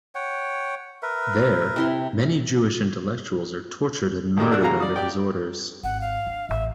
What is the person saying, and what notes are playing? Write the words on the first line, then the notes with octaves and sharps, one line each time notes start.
There, many Jewish intellectuals are tortured and murdered under his orders.
C#5 F#5 G5
A#4 B4 E5
C3 E4 C6
B2 D#3 A3 A#3 G4
C3 D4 F#4 A#4 E6 F#6
C#3 E3 G3 F#4 F5 A#5
D5 D#6
G4 D5 G5
G#1 F#5
F5
D4
A1 A2 E5